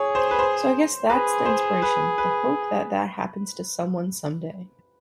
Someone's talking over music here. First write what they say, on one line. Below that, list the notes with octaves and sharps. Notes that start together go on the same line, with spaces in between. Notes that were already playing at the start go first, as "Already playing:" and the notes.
So I guess that's the inspiration-the hope that that happens to someone someday.
Already playing: G#4 C#5
C5
B4
C5
G#4 B4
C5
B4
B4